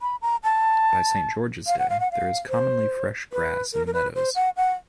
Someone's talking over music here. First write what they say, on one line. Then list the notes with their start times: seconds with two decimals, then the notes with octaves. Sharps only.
By St. George's Day, there is commonly fresh grass in the meadows.
0.02 B5
0.22 A#5
0.44 A5
1.67 F5
1.79 F#5
1.90 F5
2.00 F#5
2.12 F5
2.49 C5
3.32 B4
3.73 A#4
3.87 A#4
3.93 B4
4.15 C5
4.35 F#5
4.56 F#5